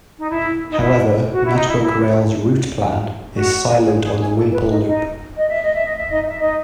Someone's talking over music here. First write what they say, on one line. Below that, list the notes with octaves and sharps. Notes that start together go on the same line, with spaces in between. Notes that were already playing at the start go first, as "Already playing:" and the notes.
However, Network Rail's Route Plan, is silent on the Whimple loop.
D#4
E4
D#4
E4
F#4
E4
D#4
E4
E4
F#4
G#4
G#4
G#4
A4
B4
D#4 D#5
D#4 D#5
D#5
E5
D#5
E5
D#5
E5
D#4 D#5
E5
D#4 D#5